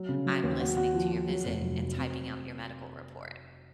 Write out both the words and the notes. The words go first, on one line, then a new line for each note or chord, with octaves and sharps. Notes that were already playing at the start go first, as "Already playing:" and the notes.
I'm listening to your visit and typing out your medical report.
Already playing: F#3
C#3
F#3
D#2
F#4
F#4
F3
F#4
F#3
F1
F#3
F#3
C4